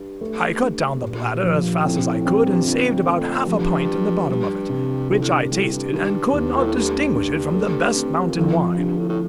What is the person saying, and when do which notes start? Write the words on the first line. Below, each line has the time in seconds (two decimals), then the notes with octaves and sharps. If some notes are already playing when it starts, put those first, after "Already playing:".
I cut down the bladder as fast as I could, and saved about half a pint in the bottom of it, which I tasted, and could not distinguish it from the best mountain wine.
Already playing: G2
0.21 A3
0.62 D4
1.02 A#2
1.43 F3
1.84 A2 C4
1.97 G2
2.04 A2
2.25 G2 C4
2.45 G2
2.65 F2 D3
3.06 A3
3.47 G2 F3
3.88 F3
4.29 G2 G3
4.70 C3
5.10 F2 D3
5.21 A2
5.31 G2
5.51 A2 G3
5.72 G2
5.92 G2 D#3
6.33 D#2
6.56 A#2
6.65 A2
6.74 G2 A3
7.14 D3
7.54 A3
7.96 C4
8.15 C3
8.26 A#2
8.37 A2 F3
8.57 F2
8.77 G2 D3
8.98 A2
9.09 A2